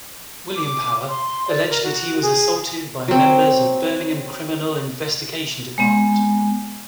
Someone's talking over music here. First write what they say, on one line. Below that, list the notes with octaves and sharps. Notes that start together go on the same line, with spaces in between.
William Power alleged that he was assaulted by members of Birmingham Criminal Investigation Department.
D6
C6
D5
A#4
F#4
G#4
F#3 C4
G#3 B3